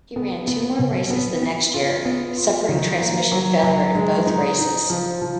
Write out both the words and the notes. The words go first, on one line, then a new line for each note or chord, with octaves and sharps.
He ran two more races the next year, suffering transmission failure in both races.
B3
B3
B2
B3
B3
F4
B3
F4
D#3
A#3
F#3
F#3
G#3
D#4
D#4
F3
F3